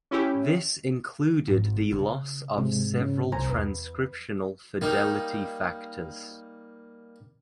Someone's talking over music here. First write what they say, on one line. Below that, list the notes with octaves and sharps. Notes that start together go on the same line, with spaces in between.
This included the loss of several transcriptional fidelity factors.
C#4 E4 G4
G#1
C#3
G#2 C3 G#3
C#3
C2 C5 G#5 A#5
E2 B4
G3 A#3 D#4